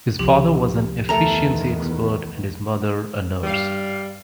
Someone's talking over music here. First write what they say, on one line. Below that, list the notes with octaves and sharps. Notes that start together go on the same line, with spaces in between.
His father was an efficiency expert and his mother a nurse.
C#2 C3 F3 G4 F#7
E2 D#3 A3 B3 A4 A#4 A#5
G2 G3 F5